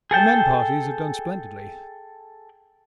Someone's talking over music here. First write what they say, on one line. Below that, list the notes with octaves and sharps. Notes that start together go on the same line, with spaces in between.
The men parties have done splendidly.
G#4 A4 G5 A5